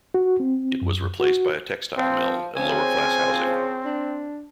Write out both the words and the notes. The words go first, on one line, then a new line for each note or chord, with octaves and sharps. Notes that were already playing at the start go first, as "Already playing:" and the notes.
It was replaced by a textile mill and lower-class housing.
F#4
C4
F#2
F#4
F3 C4
C#3 F3 C4 G#5
D4